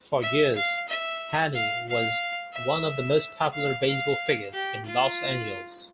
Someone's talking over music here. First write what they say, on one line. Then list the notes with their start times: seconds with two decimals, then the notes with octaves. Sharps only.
For years, Haney was one of the most popular baseball figures in Los Angeles.
0.22 E5
0.55 F5
0.88 E5
1.54 F5
1.88 F5
2.54 E5
3.53 F5
3.87 F5
4.53 G4
4.86 F4